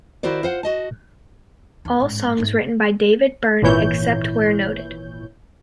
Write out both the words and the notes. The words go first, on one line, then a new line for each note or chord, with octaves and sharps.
All songs written by David Byrne except where noted.
D#3 E4 F#4 A#4 C5 D5
F4 C5 F#5
F#4 D#5 A5
D#2
A1 G#2
G#2 A3
G#1 A#2 E3 E4 C#5 G6